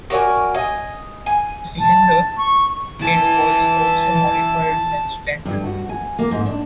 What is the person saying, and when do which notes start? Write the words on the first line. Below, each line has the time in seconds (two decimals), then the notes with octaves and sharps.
The cylinder head was also modified and strengthened.
0.10 F#4 A#4 D5 G#5
0.55 D#5 G#5
1.26 G#5
1.79 A5
2.38 C#6
3.01 E3 E4 A5
5.45 G2
5.64 F#4
5.89 G#5
6.19 A#3
6.31 G#2
6.46 D4